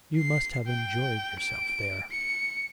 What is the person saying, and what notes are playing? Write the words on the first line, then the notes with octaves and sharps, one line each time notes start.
You must have enjoyed yourself there.'
C7
G5
D7
C#7